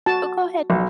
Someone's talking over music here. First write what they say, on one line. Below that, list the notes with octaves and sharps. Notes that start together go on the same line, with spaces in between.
Oh, go ahead, no.
F#4 A5
B1